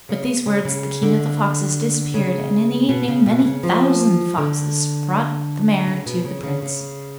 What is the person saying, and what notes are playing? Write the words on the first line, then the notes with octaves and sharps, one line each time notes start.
With these words the King of the Foxes disappeared, and in the evening many thousand foxes brought the mare to the Prince.
C#3
C#3
C#3
D3
C#3
B2
C#3
B2
C#3
F3
D3
C#3
B2
C#3
C#3
C#3